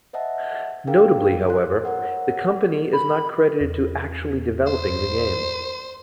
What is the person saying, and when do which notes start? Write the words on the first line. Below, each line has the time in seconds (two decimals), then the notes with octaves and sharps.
Notably however, the company is not credited to actually developing the game.
0.13 C5 D#5 E5 F#5 A5
0.87 D4 D#4 G#4 A#4 F5 G5
1.47 C#5 C6 F#6
1.85 A#4 C#5 F#5
2.93 B5
3.61 E2
4.67 C5